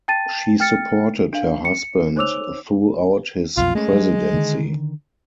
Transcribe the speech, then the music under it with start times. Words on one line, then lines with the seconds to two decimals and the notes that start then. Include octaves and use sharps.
She supported her husband throughout his presidency.
0.08 G5 A5 A6 D#7
0.60 G5 F6 A6 C#7
1.33 D4 F5
1.65 C#7
2.16 D#4 C5 C#5 D6 E6 F7
3.57 B1 F2 B2 F4
3.75 G#3 A3 C#4
3.93 F#3
4.34 D3 D#3